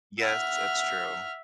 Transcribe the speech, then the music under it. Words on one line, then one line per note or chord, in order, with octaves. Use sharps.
Yes, that's true.
E5 F#5 F6